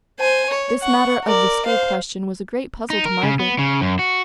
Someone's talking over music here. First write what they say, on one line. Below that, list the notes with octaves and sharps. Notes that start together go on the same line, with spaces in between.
This matter of the school question was a great puzzle to Margaret.
C5 G#5
C#5
F#5 C#6
A#4 D5
C5 F5
D#4
A#4
C#3
B3
C#3
F#2
F#4